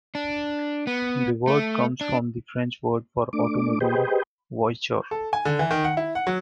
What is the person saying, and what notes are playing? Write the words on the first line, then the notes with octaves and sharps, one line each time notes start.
The word comes from the French word for "automobile", "voiture".
D4
B3
A3
D4
A3 D4 D6
G4 G#4 B4 C5 D#5 G5
A4
G#5
D3
E3
D#3
F#5
E4
F#5
F#3